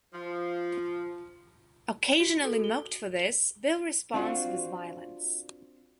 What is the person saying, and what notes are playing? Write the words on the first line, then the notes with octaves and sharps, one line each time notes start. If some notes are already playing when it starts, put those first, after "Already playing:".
Occasionally mocked for this, Bill responds with violence.
F3
F#4
A4
G7
C4 D4 F4 F#4